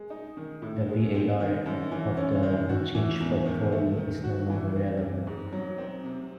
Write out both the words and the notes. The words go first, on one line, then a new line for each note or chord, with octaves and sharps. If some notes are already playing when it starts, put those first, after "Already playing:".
The VaR of the unchanged portfolio is no longer relevant.
Already playing: G#3
D#4
D#3
A2
G#3
C4
D#3
F#2
E3
C#4
D#3
F#4
E3
E2
D#3
A3
D#3
F#4
E3
C4
C3
G#2
F#3
C4
C3